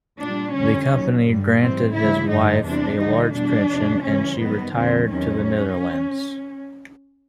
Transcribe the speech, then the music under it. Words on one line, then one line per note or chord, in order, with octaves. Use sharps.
The company granted his wife a large pension and she retired to the Netherlands.
A#2 G3 D4
F2 D3 G3 C#4
D#2 D#3 F#3
G2 D3 G3
G#2 E3 G3 C4
D2 C#3 E3 G3 E4
G2 D3 G3 D#4
E2 C3 E3 G3 D4
D2 D3 G3 D#4
E2 B2 G3 D4
E2 C3 F3
D2 C#3 E3 G3 C#4
F#2 D#3 G3 B3
F2 D3 F3 C4
E2 C3 D#3 F#3 C#4